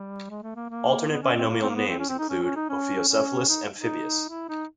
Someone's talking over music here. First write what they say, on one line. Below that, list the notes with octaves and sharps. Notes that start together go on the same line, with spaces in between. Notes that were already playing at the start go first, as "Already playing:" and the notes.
Alternate binomial names include "Ophiocephalus amphibeus".
Already playing: G3
G#3
A3
A#3
A#3
B3
C#4
C4
A#3
C4
A#3
B3
C4
C#4
C4
D#4
C#4
C#4
D#4
C#4
C#4
D#4
D#4
E4
D#4